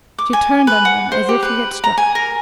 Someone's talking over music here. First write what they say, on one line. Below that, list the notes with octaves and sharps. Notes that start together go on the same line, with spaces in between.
She turned on him as if he had struck her.
D6
G#5
B4
F#5
C5
G4
B4
A#5
G#5
A#4